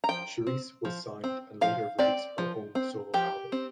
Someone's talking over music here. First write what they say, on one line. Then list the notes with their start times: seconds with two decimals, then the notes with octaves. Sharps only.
Cherise was signed and later release her own solo album.
0.04 A#5
0.09 F3 G5
0.47 C4
0.85 F3
1.24 C4
1.61 F3 F5
1.99 C4 D5
2.38 F3
2.75 C4
3.14 F3 G4
3.52 C4